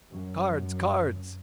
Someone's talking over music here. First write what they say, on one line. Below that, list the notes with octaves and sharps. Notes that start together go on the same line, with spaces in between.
Cards! cards!
F#2